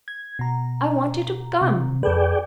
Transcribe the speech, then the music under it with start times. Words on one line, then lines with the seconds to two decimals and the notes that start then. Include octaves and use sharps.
'I wanted to come.
0.08 G#6
0.39 B2 A#5
1.61 C3
2.03 F2 G#4 A4 B4 D5 G5